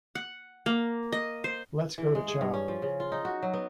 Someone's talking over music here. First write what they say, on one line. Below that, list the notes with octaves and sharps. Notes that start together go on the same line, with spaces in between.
Let's go to chow.
F#5
A#3
D#5
C5
E3
G#3
G#4
G2
C#4
F3
C#3
F4
D#4
F#4
F#3
B3